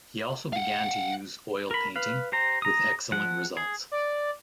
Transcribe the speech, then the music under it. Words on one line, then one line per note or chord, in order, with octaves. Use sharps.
He also began to use oil painting, with excellent results.
F5 F#5
A#4 B5
B4 F5
G4 C5 A#5
A#5 D#6
F3 F#5
G#4
D5